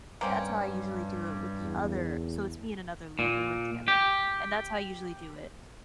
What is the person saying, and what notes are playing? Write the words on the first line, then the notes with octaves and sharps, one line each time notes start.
that's how I usually do it with the other so it's me and another lead; we work together, and that's how I usually do it.
G2 G3 A#3 C4 C#4
E2
A#2
G4